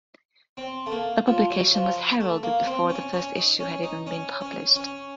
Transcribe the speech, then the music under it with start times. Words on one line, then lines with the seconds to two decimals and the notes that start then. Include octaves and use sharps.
The publication was heralded before the first issue had even been published.
0.57 C4
0.86 A3
0.92 A#3
1.27 F3
1.50 F#3
1.74 F3
2.20 A3
2.43 A#3
2.66 C4
2.89 C#4
3.13 C#4
3.36 D#4
3.59 C#4
3.83 D#4
4.06 C#4
4.41 C#4
4.75 C#4